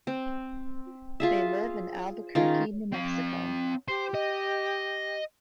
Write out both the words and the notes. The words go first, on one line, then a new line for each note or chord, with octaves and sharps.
They live in Albuquerque, New Mexico.
C4
F4 G#4 E5
D#3 C#4 F4 G#4
C4 F5
G4 C5
D#5